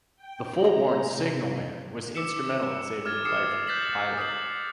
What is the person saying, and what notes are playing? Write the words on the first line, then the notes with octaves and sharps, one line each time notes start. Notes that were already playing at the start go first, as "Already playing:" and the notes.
The Fulbourn signalman was instrumental in saving the life of the pilot.
G5
A#5
C3
D6 E6 C#7 E7
D6 F6 G#6 A6
D6 D#6 F6 C7 C#7 E7
F#6 G6 A6 B6 C7 F#7
D#6 A6 C7 F#7